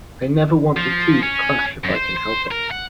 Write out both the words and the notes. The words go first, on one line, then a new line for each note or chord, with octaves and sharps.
I never want the two to clash if I can help it.
F3
C#4
F#2
C5
C5
A#4
F#5